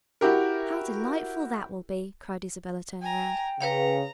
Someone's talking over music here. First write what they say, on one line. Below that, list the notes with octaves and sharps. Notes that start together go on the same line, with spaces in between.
"How delightful that will be!" cried Isabella, turning round.
E4 F#4 G4 A#4
G5 G#5 A#5
C#3 B4 C#5 F5 A#5